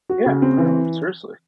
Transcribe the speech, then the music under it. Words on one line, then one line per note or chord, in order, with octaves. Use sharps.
Yeah, I know, seriously.
F#4
C#3
C4
E3